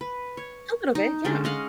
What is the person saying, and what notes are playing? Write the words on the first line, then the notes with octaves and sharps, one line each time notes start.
A little bit, yeah.
B4
C#5
D#4
D3 G#3 C#4
C#4 D#5 F5 F#5